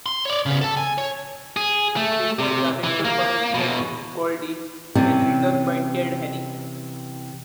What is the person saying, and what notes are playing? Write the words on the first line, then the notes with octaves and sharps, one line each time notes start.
It was directed by Kenny Golde and written by Ted Henning.
C6
C#5 D5
C#3 B3
A4 A5
G#5
C#5
G#4
A3
C3
E3
A#3
E2 B2
C3 E3 G3 C#4